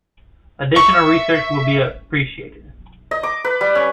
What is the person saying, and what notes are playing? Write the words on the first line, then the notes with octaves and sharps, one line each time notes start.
Additional research would be appreciated.
E5 C#6
D#5
D6
B4
G3
C#4